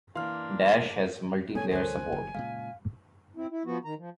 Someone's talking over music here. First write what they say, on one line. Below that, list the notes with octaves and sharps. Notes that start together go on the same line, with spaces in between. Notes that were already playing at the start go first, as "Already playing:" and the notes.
"Dash" has multiplayer support.
E3 A#3 D4 F5 C6 F6
B3 A4 C#5 G#5
C#2 D#3 C5 G#5 F#6
F#1 D#3
A#2 C#3 G#3 F5
C4 E4
E4
F3 B3 F#4
D#3 A#5
F3